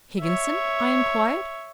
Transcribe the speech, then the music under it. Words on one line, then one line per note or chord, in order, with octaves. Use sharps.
'Higginson?' I inquired.
C#5 E5